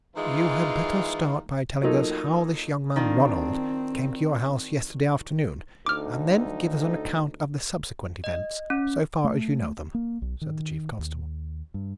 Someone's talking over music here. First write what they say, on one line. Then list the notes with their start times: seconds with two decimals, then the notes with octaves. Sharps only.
"You had better start by telling us how this young man Ronald came to your house yesterday afternoon, and then give us an account of the subsequent events, so far as you know them," said the chief constable.
0.16 D#3 E3 G#3 F4
1.83 F#3 A#3 D#4 F4 A4
2.96 D#3 C4 D4 F4
5.86 D2 D#4 A4 D6 F6
8.24 D#5
8.70 C#4
9.24 A3
9.95 A#3
10.22 B1
10.41 D#3
10.99 D#2
11.74 G2